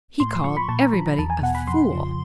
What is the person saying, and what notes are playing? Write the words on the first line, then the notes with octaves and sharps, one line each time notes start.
He called everybody a fool.
A2 C6
C6
F3 C#6
B5
A#2 A5
A#5
F3 B5
A#5
E2 A5
G#5
B2 F#5
B5
F2 C6
C#3 F3